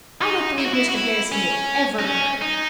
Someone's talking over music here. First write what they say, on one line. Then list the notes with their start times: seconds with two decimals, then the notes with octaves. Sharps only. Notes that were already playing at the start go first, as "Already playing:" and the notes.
I don't believe Mr. Harrison will ever marry.
0.22 D#4
0.58 E4
0.65 F#4
0.74 E4
0.89 F#4
0.95 E4
1.32 C#4
1.99 D#4
2.05 C#4
2.42 D#4